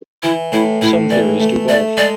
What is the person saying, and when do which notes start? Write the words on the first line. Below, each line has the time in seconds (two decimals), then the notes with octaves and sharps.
Some theories do both.
0.23 E3 E4
0.52 A2 E4
0.81 A2 E4
1.10 E3 D5
1.40 A3
1.69 A3 D5
1.97 G#3 D5